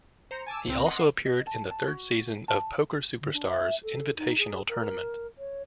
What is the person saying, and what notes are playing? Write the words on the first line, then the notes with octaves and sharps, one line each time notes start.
He also appeared in the third season of "Poker Superstars Invitational Tournament".
C5 A#5 C#7
G#5 A5 D6 E6
C#2 C4 A#4
D#5 F#5 C6
D#5
A5
A5
F#4
A5
D3
D4
E5
A4
D#4
G#4
A#4
C#5